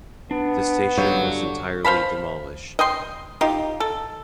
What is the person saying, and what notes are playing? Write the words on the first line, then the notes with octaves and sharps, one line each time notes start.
The station was entirely demolished.
B3 D4
G2 D3 F#3 F5 G6
C5 F5 A5 B5
D#5 G5 C6
D#4 F4 G4
A4